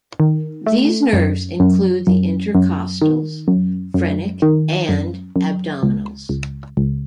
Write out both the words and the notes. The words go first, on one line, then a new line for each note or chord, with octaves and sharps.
These nerves include the intercostals, phrenic, and abdominals.
D#3
A3
F#2
F#2
F#2
F#2
D#3
F#2
F#2
D#3
F#2
F#2
C#2
C#2
C#2